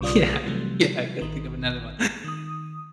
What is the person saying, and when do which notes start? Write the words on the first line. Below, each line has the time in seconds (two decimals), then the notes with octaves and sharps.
yeah, yeah, I couldn't think of another one,
0.01 B1 C#3 G3 F4 D5 D#6
0.46 C3 E3 F#3 G3 A3
1.21 A1 D#3
2.24 D#3 D#6